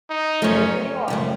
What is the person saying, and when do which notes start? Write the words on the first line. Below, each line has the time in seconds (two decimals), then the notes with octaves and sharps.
The They really are.
0.09 D#4
0.42 F#2 C#3 F3 A3 C#4
1.08 F#2 C#3 F3 A3